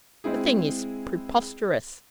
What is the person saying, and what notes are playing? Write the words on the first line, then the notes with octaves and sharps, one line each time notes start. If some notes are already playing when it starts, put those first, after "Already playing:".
The thing is preposterous!
G#3 C4 E4 G#4